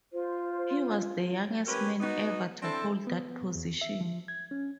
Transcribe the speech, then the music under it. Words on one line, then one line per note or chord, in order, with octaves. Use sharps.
He was the youngest man ever to hold that position.
F4 C5
C#4 G4 A#4 B4
B3 D#4 F#4
C4 D4 E4 A4 C5
B3
E2
E5
F3
G#6
C#4